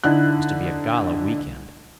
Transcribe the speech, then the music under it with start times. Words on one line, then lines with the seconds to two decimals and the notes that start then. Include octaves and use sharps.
It was to be a gala weekend.
0.04 D3 D#4 E4 F#6